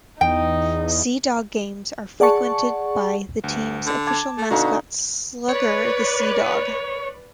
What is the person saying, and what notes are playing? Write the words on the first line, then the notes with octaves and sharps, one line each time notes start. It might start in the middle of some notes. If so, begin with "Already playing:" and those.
Sea Dogs games are frequented by the team's official mascot Slugger the Sea Dog.
E2 D#4 G5
G#4 D5 F#5 A5 C#6
D2 G2
D3
A5 D6 G#6
A3
B2 D3 D#4 F#4 F5 C#6
B4 C#5 D5